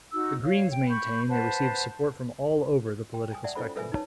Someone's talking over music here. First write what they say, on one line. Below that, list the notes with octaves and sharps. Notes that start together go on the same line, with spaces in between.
The Greens maintain they receive support from all over the political spectrum.
D#4 F#4 E6
C#5 F5
G5
B5 C#6 G6
B4 C5 F#5 A5
G5
G5 G#5 D#6
D5 E5 F#5 A5
C#4 E4 F4 A4 C5 B5
A4 B4 E5 G#5
D#4 B4 C#5 A5